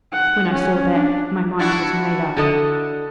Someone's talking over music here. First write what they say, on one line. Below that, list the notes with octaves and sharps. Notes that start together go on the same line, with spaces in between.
When I saw that, my mind was made up.
F#5
C#4
D4
D4 E4 F#4
D3 A4 D#5